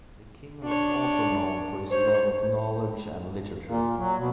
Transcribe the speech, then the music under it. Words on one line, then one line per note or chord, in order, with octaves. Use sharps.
The king was also known for his love of knowledge and literature.
D4 C#5
C5 C#5
A#2
F#3
B2